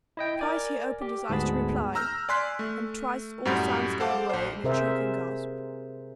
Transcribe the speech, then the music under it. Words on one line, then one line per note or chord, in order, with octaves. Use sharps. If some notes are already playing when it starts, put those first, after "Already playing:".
Twice he opened his eyes to reply, and twice all sounds died away in a choking gasp.
E4 D#5 G5
A#4 D5 G#5
G4
D2 G#2 B3 G#4 A5 B5
A#5 E6 F6 G6
D5 G#5 C6 F#6 B6
A3
F#2 A2 G3 F#5 B5 G6
A4 C5 F5 F#5 A5 D6
A#1 C5
C3 G#4 A#4 C5 E5